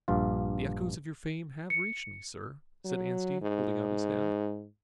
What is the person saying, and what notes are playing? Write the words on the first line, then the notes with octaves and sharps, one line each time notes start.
"The echoes of your fame have reached me, sir," said Anstey, holding out his hand.
A#1 G2 F4
C#7
F#3
G#2